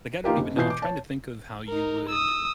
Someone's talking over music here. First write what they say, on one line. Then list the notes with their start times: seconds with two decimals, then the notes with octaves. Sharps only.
Like, I don't even know. I'm trying to think of how you would
0.24 A#3 D#4 F4 G4 A#4
0.37 F#1
0.56 B2 E3 F4 G6 C7
0.70 D6
0.82 C#5 A5
1.68 D#4 A#4
2.09 D#6 E6